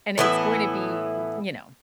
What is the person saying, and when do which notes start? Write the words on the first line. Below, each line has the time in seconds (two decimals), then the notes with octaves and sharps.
and it's going to be u you know,
0.18 A2 E3 B3 E4